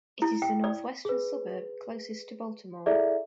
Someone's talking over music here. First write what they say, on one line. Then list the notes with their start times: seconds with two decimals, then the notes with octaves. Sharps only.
It is the northwestern suburb closest to Baltimore.
0.22 E4
0.42 G5
0.64 D5
1.05 G#4 B4
2.86 E4 G#4 A4 D5 E5